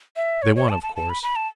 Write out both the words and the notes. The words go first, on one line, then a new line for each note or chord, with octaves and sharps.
They won, of course.
E5
C#5
C#5
A5
A5
A5
B5
B5
A5